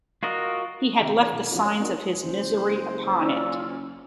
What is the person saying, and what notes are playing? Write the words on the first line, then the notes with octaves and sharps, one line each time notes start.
He had left the signs of his misery upon it.
F4 F#4 A#4 D#5
C3 D#3 G4 E5 F5 G5
E3 A#3 D4 C#5
B1
F3 C#4 F4 F#4
C#5
A#3 C4 D4 D#4 F#4 A#4
F#1 C5
C#4 F4 D5 E6